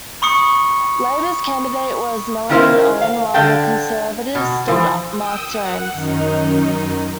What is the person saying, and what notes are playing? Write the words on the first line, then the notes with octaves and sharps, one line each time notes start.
Labour's candidate was Melanie Onn, while the Conservatives stood Marc Jones.
B5 C#6 D#6 C#7
D#3 C#4 E4 A#4 C5 F5
F5
D3 F5 G5 A5
B2
E3 F3 C5
G5 D#6 E6
F#5
F#2 D#3 D#4